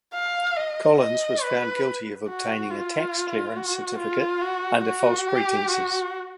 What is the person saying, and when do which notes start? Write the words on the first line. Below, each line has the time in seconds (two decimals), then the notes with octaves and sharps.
Collins was found guilty of obtaining a tax clearance certificate under false pretences.
0.14 F5
0.57 D#5
0.99 D#5
1.43 B4
2.28 F#4
2.71 F4
3.56 F#4
3.99 F4
4.41 F#4
4.84 F#4
5.28 G4
5.71 F#4